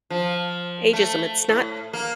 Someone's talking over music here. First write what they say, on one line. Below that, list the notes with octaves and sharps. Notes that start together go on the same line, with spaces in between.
ageism it's not
F3
A3
A2
A#3